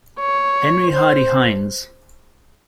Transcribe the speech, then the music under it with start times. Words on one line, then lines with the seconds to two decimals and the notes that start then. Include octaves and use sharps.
Henry Hardy Heins.
0.20 C#5
0.91 C5